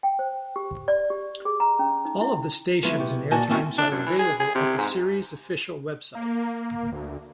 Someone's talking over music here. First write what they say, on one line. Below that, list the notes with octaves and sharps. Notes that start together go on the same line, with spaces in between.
All of the stations and airtimes are available at the series official website.
G5
C5
G4
D5
G4
G#4
A#5
C#4
D#4
E4
F3 F#3 G#3 B3 E4 F4
B2 G4
A#2 F#4 D#5 G#5 A5
G3 C4 C#4 D#4 E4 F#4
D4
F#2
E3
G#4
G#4
C3
G#2
A#3
D2